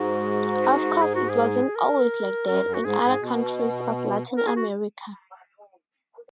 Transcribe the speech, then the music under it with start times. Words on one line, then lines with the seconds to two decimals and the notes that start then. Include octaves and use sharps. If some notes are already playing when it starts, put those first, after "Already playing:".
Of course it wasn't always like that, in other countries of Latin America.
Already playing: G#2 F#4
1.02 G#4
1.15 F#4
1.29 G#4
1.76 A#4
2.47 F#2 A#4
2.66 F#2
2.74 F#4
2.84 G#2 G#4
3.02 G#2
3.21 B2
4.38 A#4
4.47 G#4
4.56 F#4